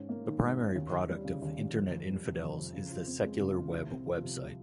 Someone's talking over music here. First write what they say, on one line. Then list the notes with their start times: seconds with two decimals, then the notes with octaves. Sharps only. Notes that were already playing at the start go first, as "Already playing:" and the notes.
The primary product of Internet Infidels is the Secular Web website.
Already playing: G#2 C#4
0.09 A#3
0.25 D#3
0.42 G#2
0.60 C#4
0.75 D#2
0.92 D#2
1.09 G3
1.25 C#3
1.42 D#2
1.58 D#2
1.75 F2
1.92 F2
2.08 G3
2.25 C3
2.41 F2
2.57 F2
2.74 C#3
2.90 F4
3.07 C4
3.24 G#3
3.40 C#3
3.57 F4
3.73 C2
3.91 C4
4.06 F3
4.23 C3